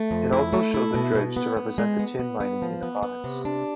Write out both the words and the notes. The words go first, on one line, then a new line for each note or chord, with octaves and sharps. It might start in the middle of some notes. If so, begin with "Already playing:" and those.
It also shows a dredge to represent the tin mining in the province.
Already playing: A3
F2
E4
A3
E4
B2
B2
B3
B3
G#3
B3
B3
B3
F3
B3
B3
C3
D4